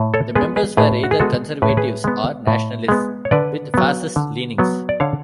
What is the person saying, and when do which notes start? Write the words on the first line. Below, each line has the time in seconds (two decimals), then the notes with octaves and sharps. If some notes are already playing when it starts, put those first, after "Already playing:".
The members were either conservatives or nationalists with fascist leanings.
Already playing: A2
0.14 A4 C#5
0.35 G#3 B3 G#4 B4
0.56 G#4 B4
0.77 A2 G#4 B4
1.04 F#4
1.11 G#4
1.20 G#3 B3 F#4 A4
1.62 A2 B4
1.69 C#5
1.77 G#4 B4
2.04 G#3 B3
2.47 A2
2.88 G#3 B3
3.25 C#5
3.31 D3 B4 D5
3.74 F#3 B3
4.16 D3
4.58 F#3 B3
4.89 D5
5.00 D3 C#5 F5